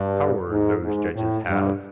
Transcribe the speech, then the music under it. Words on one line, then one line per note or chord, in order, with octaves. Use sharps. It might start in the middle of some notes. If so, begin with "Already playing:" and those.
Power those judges have.
Already playing: G2
G#2
G#2
A2
G2